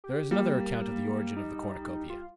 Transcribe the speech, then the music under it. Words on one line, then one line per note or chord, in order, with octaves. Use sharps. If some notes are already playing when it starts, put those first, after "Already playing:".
There is another account of the origin of the Cornucopia.
G4
G3 A#3
D#4
F4